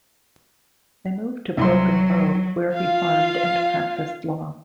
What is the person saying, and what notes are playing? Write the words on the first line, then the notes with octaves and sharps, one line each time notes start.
They moved to Broken Bow where he farmed and practiced law.
C2 F#3 E4 C6
F4 F5